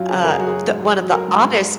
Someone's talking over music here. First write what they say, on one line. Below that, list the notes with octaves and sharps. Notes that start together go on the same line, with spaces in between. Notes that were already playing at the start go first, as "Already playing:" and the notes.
Uh, d one of the oddest
Already playing: F#2 F#3 F4
C#3
F#2 A#4
G#4
F#2 F#4
G#4
F#3
G#2
G#2
F#3
F#3 A#4
G#2
G#2